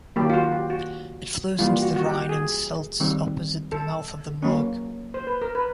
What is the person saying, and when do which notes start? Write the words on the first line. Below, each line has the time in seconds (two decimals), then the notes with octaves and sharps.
It flows into the Rhine in Seltz, opposite the mouth of the Murg.
0.16 D#3 F#3 A#3 G4
0.30 F4
0.34 F#4
0.52 G4
0.70 F#4
1.58 E3 G3 A#3 F4
1.82 F#4
1.96 F#4
2.06 G4
2.29 G#4
3.00 D#3 G3 C4
3.72 A4
4.42 F#3 A#3 C#4
5.14 C5
5.27 B4
5.42 A#4
5.55 B4